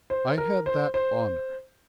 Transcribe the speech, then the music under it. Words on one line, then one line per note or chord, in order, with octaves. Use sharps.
I had that honour.
C5
A#4
C5
C5